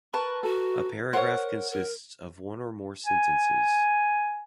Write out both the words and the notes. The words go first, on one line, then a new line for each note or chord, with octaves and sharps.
A paragraph consists of one or more sentences.
A#4 B4 A5 C#6
F#4 A4
A#4 C5 C#5 F#5
A#4
G#5